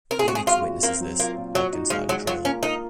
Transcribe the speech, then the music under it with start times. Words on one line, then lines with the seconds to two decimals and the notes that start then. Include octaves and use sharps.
Fenix witnesses this, locked inside a trailer.
0.11 C4 A#4
0.19 G#4
0.28 G#3 F#4
0.35 G#4
0.47 F4 F#4
0.65 A#2
0.83 A#3 C4
1.01 F#3
1.20 A#3 F4
1.37 A#2
1.55 F#3 F#4
1.73 D#4
1.90 F3 G#3
2.09 F#3 G#3
2.27 F#3 F4
2.45 A#3 C#4
2.63 D#4 A#4